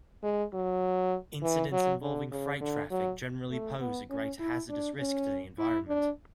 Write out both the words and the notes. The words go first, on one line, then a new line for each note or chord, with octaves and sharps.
Incidents involving freight traffic generally pose a greater hazardous risk to the environment.
G#3
F#3
E3
F#3
D3
C#3
D3
F#3
A3
B3
C#4
E4
D4
C#4
E4
D4